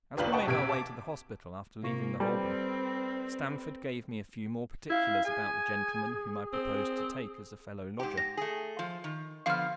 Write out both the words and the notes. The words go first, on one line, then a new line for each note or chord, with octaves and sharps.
As we made our way to the hospital after leaving the Holborn, Stamford gave me a few more particulars about the gentleman whom I proposed to take as a fellow-lodger.
F#1 D#2 D4 F4 B4 F#7
B4 D#5 F#5 G5 A5 C#6
A#1 C3 G4 G#6 B6 D7
A5 D6
C3 A#3 F4 C#6
G3 C4 A4 B4
E4 F5
G#4 G#5
C4
G#2 G4
A#6
A3 G#4
F3
D#3
D3 F3 B3 F5 F6